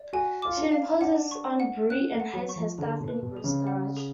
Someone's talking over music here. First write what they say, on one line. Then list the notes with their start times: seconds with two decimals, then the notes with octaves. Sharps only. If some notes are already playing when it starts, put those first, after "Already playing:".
She imposes on Bree and hides her stuff in Bree's garage.
Already playing: D5
0.13 F#4 G#5
0.42 F4 D6
0.57 D4
0.72 F5
1.01 D4 F#5
1.31 C#6
1.60 F#5
1.89 C#4 F#6
2.12 A3
2.20 F#5
2.33 F#3
2.49 C#6
2.56 F3
2.78 D3 G#4
3.00 B2
3.08 B4
3.23 B2
3.37 G#4
3.44 C#3
3.67 F#5
3.97 G#4